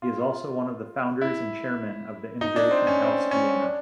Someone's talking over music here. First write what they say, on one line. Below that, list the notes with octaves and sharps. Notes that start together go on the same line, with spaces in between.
He is also one of the founders and chairman of the Integration House Vienna.
F4
E4
D#4
D4
C4
C#4
C4
C#4
D4